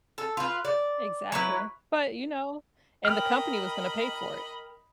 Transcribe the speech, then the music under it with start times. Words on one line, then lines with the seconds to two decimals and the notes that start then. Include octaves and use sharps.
Exactly, but, you know, and the company was gonna pay for it,
0.18 A4
0.37 F4 B4
0.65 D5
1.32 F#3 E4 B4
3.05 A#4 D#5 G5 B5 F6